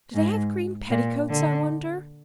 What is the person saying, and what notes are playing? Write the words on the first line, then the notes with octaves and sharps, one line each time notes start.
Do they have green petticoats, I wonder?
G#2
A#2
D3